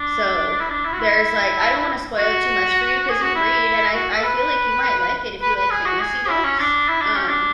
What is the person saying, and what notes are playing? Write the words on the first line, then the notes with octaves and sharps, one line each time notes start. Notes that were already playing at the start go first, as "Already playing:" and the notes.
so, there's, like I don't wanna spoil it too much for you 'cause you read, and I I feel like you might like it if you like fantasy books, um,
Already playing: D4
E4
D4
E4
F#4
E4
F#4
G#4
F#4
E4
F#4
A4
B4
B4
B4
G#4
F#4
G#4
E4
C#4
D4
E4
D4
C#4
D4